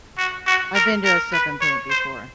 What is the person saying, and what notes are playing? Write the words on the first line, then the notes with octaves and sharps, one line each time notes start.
I've been to a sip and paint before.
F#4
F#4
A#4
A#4
B4
C#5
C5